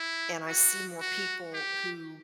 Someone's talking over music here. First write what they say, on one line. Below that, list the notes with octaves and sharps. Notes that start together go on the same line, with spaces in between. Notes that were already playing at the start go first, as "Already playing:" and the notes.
and I see more people who
Already playing: E4
F#4
F#4
G4